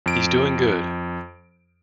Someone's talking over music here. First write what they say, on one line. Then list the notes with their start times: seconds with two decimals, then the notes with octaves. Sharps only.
He's doing good.
0.06 F2 D7